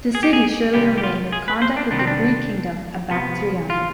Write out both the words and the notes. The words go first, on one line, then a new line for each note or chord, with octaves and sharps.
The city surely remained in contact with the Greek Kingdom of Bactriana.
G#4
G4
G#4
C3 D#3 G3 B3 G4
G4
F4
G#4
B4
C5
D4
C3 D#3 G3 B3 D4
C4
D4
C3 F3 B3
F4